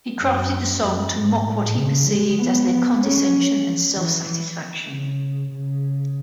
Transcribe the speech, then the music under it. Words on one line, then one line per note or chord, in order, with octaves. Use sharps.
He crafted the song to mock what he perceived as their condescension and self-satisfaction.
F#2
F#2
G#2
A2
C#3
G#3
B3
C#4
E3
C#3
C#3